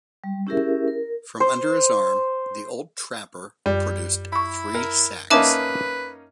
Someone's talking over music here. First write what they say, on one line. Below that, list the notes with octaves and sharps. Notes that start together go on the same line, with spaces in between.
From under his arm the old trapper produced three sacks.
G3
C#4 E4 G4 G#4 A#4 E5
A#4
C5
F#2 G3
E4 B5 C#6
A#4
A#3 C#4 D#4 B4 E5 A5 D6